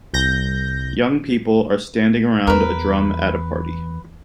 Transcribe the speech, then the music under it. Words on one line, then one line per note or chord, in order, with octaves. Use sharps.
Young people are standing around a drum at a party.
C2 G6 A#6
E2 A#4 B4